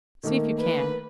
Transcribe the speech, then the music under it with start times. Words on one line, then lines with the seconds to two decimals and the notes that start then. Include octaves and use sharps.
"See if you can."
0.23 D#3 A3 A#3
0.59 B4